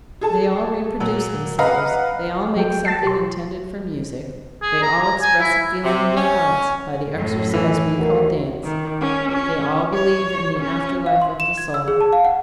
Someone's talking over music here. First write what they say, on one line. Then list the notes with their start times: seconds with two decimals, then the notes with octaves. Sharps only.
They all reproduce themselves, they all make something intended for music, they all express a feeling in their hearts by the exercise we call dance, they all believe in the after life of the soul.
0.21 G#4 A4 A5
1.00 A#2 F#3
1.59 B4 D#5 F5 F#5 A#5
2.57 F#3 A4 G5
2.85 A5 A6 C7
3.03 B2 F#3 G4 C6
4.62 G#4
4.82 A#5
5.02 A#5
5.22 G#5
5.41 E4
5.84 C3
6.16 C#4
7.13 F#2 A2
7.54 E3
7.98 D2 D#3 F#4 A#4
8.63 D#3
9.01 C#4
9.31 C#4
9.93 C#5
10.59 C#4
11.06 F5
11.22 C6
11.40 E7
11.58 G#6
11.74 E6
11.88 G#4
12.01 A5
12.13 F5
12.25 F#5